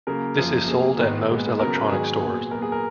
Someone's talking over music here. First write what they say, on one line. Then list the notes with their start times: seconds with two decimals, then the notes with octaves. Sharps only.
This is sold at most electronic stores.
0.07 C#3 F#3 A#3 A#4
0.37 F#2 F3 A#3
0.68 B2 F#3 A#3 G#4
0.99 G#2 D#3 G#3 B3
1.29 A#2 G#3 B3
1.59 C#3 F#3 B3 A#4
1.75 B4
1.90 G#2 D#3 F#3 B3 G#4
2.20 A#2 F#3 B3
2.51 A#2 F#3 B3 A#4
2.62 G#4
2.72 A#4